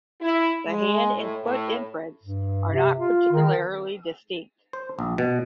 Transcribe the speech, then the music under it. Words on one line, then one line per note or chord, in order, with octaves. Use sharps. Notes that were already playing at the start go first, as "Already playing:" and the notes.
The hand and foot imprints are not particularly distinct.
E4
G#3
A2
A2
G2
C3
F4
D#3
C5
A#1
B2